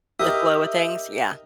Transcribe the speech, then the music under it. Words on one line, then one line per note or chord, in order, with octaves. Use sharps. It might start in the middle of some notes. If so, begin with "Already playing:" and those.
The flow of things, yeah.
D#4 G4 A#4 E5 D#6